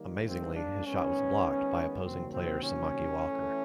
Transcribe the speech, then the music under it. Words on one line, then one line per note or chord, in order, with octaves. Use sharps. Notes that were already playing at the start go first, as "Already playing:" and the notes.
Amazingly, his shot was blocked by opposing player Samaki Walker.
Already playing: D#3 G3 A#3
C4
D4
D#3 G#3 B3 C#4
C3 D#3 F#3 A#3 C4
C4
C#4
A2 E3 A3